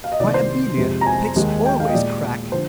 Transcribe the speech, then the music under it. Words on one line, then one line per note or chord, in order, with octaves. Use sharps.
"Why, Amelia, plaits always crack!"
F5
D#5
C2 C3 D#3 A#3 D5
C5
F2 C3 F3 G#3
A#5
G#5
D#2 D#3 G#3
G5
F5
D#5
A#2 G#3 D5
D3 F3 C5